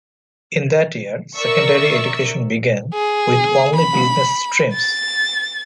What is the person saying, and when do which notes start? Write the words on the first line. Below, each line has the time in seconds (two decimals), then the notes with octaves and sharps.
In that year, secondary education began, with only business streams.
1.37 A#4 D5 E5 C#6 E6
2.94 G#4
3.76 B5
4.74 A6